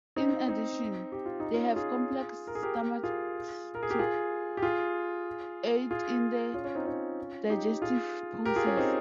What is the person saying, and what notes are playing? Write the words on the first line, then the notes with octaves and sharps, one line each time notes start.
In addition, they have complex stomachs to aid in the digestive process.
C4 D#4
C4 D#4
G4
F4
D#4
C#4 F4
F4 G#4
A#4
G#4
G4 A#4
F4 G#4
A#4
G#4
G4 A#4
F4 G#4
G4
F4 G#4
F4 G#4
C#4 F4
C#4
C4 D#4
C#4 F4
D#4 G4
F4 G#4
G4 A#4
F4 G#4
C#4 F4
C4 D#4